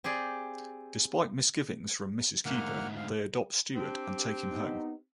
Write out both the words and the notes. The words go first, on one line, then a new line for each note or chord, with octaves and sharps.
Despite misgivings from Mrs. Keeper, they adopt Stuart and take him home.
C4 G4 G#4 D5
D2 G#2 A#3 F#5 F6
F5
C4 D4 G4
B3 D#4